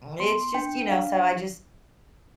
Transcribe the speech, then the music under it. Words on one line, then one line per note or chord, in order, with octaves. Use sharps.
It's just, you know, so I just
B3 C6
D4 G5
D4 F5